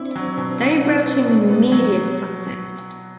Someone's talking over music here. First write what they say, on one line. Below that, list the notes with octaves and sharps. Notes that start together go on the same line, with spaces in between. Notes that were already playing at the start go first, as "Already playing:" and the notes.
They brought him immediate success.
Already playing: C4 D4 E4
F#3
B2
B2
B2
B3
B2
B3
F#3